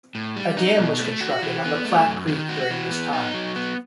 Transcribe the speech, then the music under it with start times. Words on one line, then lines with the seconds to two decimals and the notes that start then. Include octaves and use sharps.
A dam was constructed on the Platte Creek during this time.
0.15 A2
0.36 G3
0.57 D#4
0.79 B2
1.00 A3
1.21 F#4
1.42 E3
1.64 B3
1.85 A3
2.06 F#2
2.27 D#3
2.49 F#4
2.70 E3
2.91 B3
3.13 D#4
3.34 F#3
3.56 B3